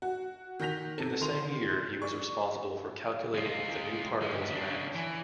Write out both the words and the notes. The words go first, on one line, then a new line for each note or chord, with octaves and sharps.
In the same year, he was responsible for calculating the new particle's mass.
F#4
D#3 F#4 G6 A#6 B6 F7
C3 A4
D#3 C6 F7
D5 C#6
G#3 F4
G2 G#3
C#3 D4
E3